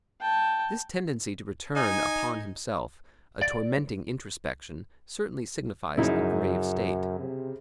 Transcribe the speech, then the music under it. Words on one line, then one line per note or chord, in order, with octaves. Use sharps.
This tendency to return upon himself, a tormenting introspection, certainly signifies a grave state.
G5 A5
D#4 G#5
D5
F#2 C#3 F3 D#4 E4
C3